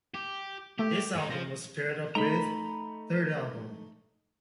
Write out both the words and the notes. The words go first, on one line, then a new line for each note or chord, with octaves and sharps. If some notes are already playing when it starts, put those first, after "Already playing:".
This album was paired up with "Third Album".
G4
A3 G4
G#2 D#4
F3 A#6
A3 D#4 A#5 B5 G7